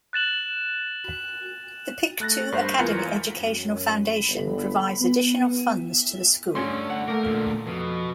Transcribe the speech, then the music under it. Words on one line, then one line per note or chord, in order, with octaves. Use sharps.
The Pictou Academy Educational Foundation provides additional funds to the school.
F#6 A6 E7 F#7
A3 F#6 A6 A#6
G2 A#3 C5
E2 E3 F4 A#4 C#7
F#2
G1
B3
G2 D3 A3 C#4 C6
F#5
A3 A#3 A#4
A#2 D3
F2 B2